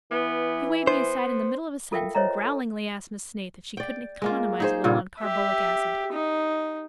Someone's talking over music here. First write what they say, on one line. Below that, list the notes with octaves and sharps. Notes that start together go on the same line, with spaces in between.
He waved me aside in the middle of a sentence, and growlingly asked Miss Snaith if she couldn't economize a little on carbolic acid.
E3 B3
B3 C5
F4 A4 A#4 E5 F5 G5
C5 C#5 D#5 E5 A#5
A4
D5 G5
G#3 A#3 F4
D#4 G#4 C5
G2 A#2 C#3 F4
G4 E5
D#4